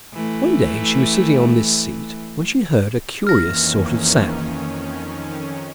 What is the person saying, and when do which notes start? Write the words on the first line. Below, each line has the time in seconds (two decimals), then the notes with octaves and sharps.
One day she was sitting on this seat when she heard a curious sort of sound.
0.14 E3 A3
3.27 F2 D#3 E3 A#3 C#4 F6 A#6